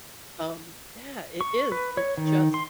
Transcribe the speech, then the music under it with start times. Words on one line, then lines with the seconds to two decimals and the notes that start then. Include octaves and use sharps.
um yeah, it is, it's just,
1.41 C#6
1.72 B4
1.97 C#5
2.18 D#3
2.54 C6